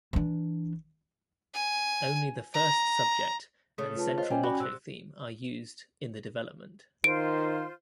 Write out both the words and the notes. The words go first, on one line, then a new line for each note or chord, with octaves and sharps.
Only the first subject and central motto theme are used in the development.
E3 D4
G#5
A#5
C#3 A3 D#6
F4 B4 A5
F4 C5 C#5 D#5
G3 C#4 G5 G#5
F#4 G4 D5 B5
C3 E6 F#6
D#3 F4 C5 D7